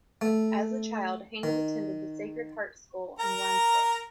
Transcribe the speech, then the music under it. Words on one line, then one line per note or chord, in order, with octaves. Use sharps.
As a child, Hayes attended the Sacred Heart School in Wandsworth.
A3
D#3
A#4 A#5